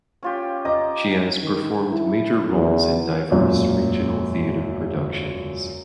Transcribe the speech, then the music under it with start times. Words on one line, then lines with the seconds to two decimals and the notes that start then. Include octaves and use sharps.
She has performed major roles in diverse regional theater productions.
0.23 C#4 F4 G4
0.65 D#5 A#5 D6
1.43 D#3
1.91 E4
2.51 E2
3.31 E1 F#2 A#2